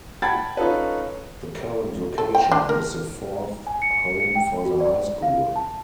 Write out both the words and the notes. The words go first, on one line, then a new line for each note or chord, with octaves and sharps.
The current location is the fourth home for the high school.
F#5 G5 A5 B5 G#6 A6
C#4 D#4 F4 A4 B4
A4
G5
D4
A#4
G#5
C#7
C#7
G5
F#4
D5
F5
A5